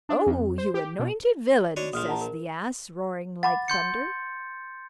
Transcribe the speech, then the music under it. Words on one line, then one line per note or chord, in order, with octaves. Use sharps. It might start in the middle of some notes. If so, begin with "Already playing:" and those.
"Oh, you anointed villain!" says the ass, roaring like thunder.
D4
F2
C5
G4
B2
D4 F#4 C#5 D#5
A#1 F3 D#6 F6
F#5 A5 A#5
A#4
F#5 B5 D6 A6
C6 G6 C#7